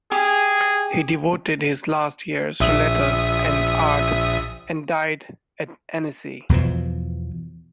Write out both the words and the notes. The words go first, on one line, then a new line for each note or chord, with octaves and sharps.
He devoted his last years to letters and art, and died at Annecy.
G4 G#4
A#1 E5 D#6
E2 B2 E3 F3